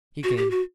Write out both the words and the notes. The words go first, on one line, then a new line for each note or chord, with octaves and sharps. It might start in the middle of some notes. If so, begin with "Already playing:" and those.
He came.
F#4
G4
F#4